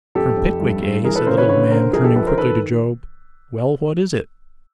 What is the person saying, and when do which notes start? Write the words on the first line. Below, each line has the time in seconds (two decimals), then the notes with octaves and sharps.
'From Pickwick, eh?' said the little man, turning quickly to Job. 'Well, what is it?'
0.15 F1 G4 A4
0.37 F1
0.60 G2
0.82 G2
1.04 E3 G#4 A#4
1.15 A4 B4
1.26 C#3 A#4 C5
1.37 B4 C#5
1.49 D3 B4 C#5
1.71 D3 A#4 C5
1.93 A#1 G#4 A#4
2.04 G4 A4
2.16 A#1 A4 B4
2.27 A#4 C5
2.38 D#3 A4 B4